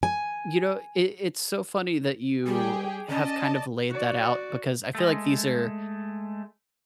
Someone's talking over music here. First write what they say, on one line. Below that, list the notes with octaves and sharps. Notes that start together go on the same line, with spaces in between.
you know, i it's so funny that you have kind of laid that out because I feel like these are
G#5
G3 G4 G#4 G5
C#4 D5 D#5 A5
F#4 D5
G#3 A3